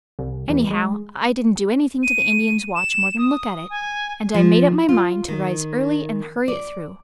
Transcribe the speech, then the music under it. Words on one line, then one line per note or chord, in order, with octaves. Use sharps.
Anyhow I didn't do anything to the Indian's watch more than look at it, and I made up my mind to rise early and hurry it through.
C2
E2
G#3
D#7
E7
D#6
G#5
F3
F4
D#3
D5